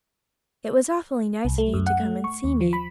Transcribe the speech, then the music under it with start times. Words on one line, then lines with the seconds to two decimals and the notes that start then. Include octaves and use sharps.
"It was awfully nice of you to come and see me."
1.45 C2
1.58 A3
1.74 F#2
1.87 F#5
2.00 A3
2.24 C#6
2.44 D#2
2.61 F3
2.73 B5